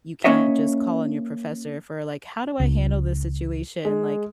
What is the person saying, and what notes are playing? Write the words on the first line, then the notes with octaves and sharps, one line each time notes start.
you can't just call on your professor for, like, "How do I handle this situation?" Like,
A#3 C#4 C#5 D#5 E5
C#2
G#3